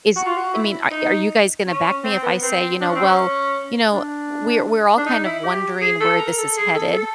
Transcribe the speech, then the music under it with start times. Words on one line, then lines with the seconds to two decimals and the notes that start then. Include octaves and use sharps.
Is I mean, are are you guys gonna back me if I say," you know, "'Well, you know, we're we're all kind of wondering where this is headed,'"
0.16 F#4
0.27 F4
0.36 F#4
0.53 E4
0.91 D#4
1.67 C#4
2.04 C4
2.23 B3
2.43 C4
2.80 D4
2.88 C#4
2.95 C4
3.04 C#4
3.92 D4
4.97 D4
5.06 D#4
5.25 E4
5.43 G4
5.81 G#4
6.00 A4
6.19 A#4
6.38 A4
6.57 G#4
6.75 A4
6.93 A4